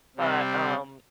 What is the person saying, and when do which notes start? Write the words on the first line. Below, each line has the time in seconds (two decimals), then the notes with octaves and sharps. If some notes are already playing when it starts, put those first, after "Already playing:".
But, um
0.16 C3 G3 C4